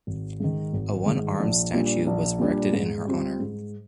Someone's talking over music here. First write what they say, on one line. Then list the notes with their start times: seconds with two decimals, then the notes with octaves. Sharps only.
A one-armed statue was erected in her honor.
0.07 G#1
0.40 G#2 D#3
0.73 G#1
1.06 G#2 D#3
1.40 A#1
1.74 A#2 G3 D4
2.07 A#1
2.39 A#2 G3 D4
2.73 G#2
3.06 G3 C4 F4
3.40 G#2